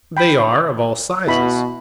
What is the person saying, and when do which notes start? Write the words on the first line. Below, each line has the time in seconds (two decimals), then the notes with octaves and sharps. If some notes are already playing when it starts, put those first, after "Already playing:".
They are of all sizes.
0.17 G5 B5
1.28 B2 E4 B5